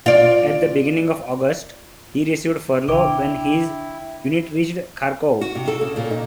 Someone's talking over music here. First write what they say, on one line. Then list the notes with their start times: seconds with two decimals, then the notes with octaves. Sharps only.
At the beginning of August, he received furlough when his unit reached Kharkov.
0.06 F4 D5
2.88 B1 D3 D4 E4 G5 D6
5.41 F#4
5.55 C3
5.68 A4
5.81 C#3
5.96 A#2
6.11 D#4